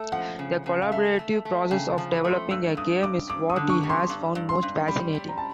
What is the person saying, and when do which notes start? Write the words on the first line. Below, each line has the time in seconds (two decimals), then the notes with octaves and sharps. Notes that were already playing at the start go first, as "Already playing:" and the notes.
The collaborative process of developing a game is what he has found most fascinating.
Already playing: A3
0.12 F3 F#5
0.39 C#3
0.66 C#3
0.82 F5
0.92 A3 E5
1.19 A3
1.45 A3
1.71 C#3 G5
1.90 A5
1.98 F3
2.11 B5
2.24 A3
2.30 C6
2.51 G2 E6
2.77 G2 D#6
3.03 G2 D6
3.29 G2 D6
3.50 D#6
3.56 D3
3.70 C#6
3.83 G3
3.89 C6
4.09 G2
4.35 G2
4.49 C6
4.63 G2
4.88 G3 B5
5.15 G3
5.29 A#5
5.38 A5